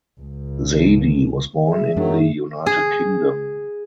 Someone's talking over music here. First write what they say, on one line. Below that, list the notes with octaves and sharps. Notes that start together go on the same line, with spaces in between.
Zaidi was born in the United Kingdom.
C#2
G#4 E5
F#2 D#3 F#3 G#3 D4
G#4